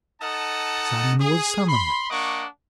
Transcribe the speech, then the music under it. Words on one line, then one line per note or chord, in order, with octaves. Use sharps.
Simon was summoned.
D#4 A4 D#5 F#5 A5
G#4
B5 C6
A#3 D4 D#5 F#5 C#6 D6